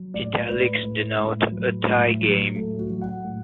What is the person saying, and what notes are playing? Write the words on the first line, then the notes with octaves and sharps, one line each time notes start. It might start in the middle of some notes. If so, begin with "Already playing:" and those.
Italics denote a tie game.
Already playing: F#3
A2 D5
A2 B4
A2
A2
F#3
A2
F#3
A2 A4
F#4
F#3
F#5
A2